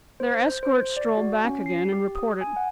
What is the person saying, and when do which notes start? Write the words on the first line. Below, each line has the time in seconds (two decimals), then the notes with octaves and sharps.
Their escort strolled back again, and reported.
0.20 C5
0.40 G6
0.63 C5
0.97 D5
1.17 F#4
1.45 C#4
1.66 C7
1.92 G4
2.15 D#6
2.41 G#5
2.56 F#5